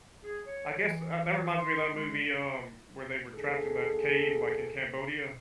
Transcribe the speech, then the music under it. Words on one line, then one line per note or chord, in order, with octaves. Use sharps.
I guess, uh, that reminds me of that movie, um, where they were trapped in that cave, like, in Cambodia
G#4
C#5
E3
C6
G#3
D#2 D3 G#4 A4